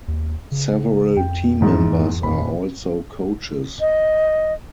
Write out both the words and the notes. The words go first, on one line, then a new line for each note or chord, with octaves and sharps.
Several team members are also coaches.
D#2
C#3
F2 G5
E2 G#2 E3
D#1 B5
D#5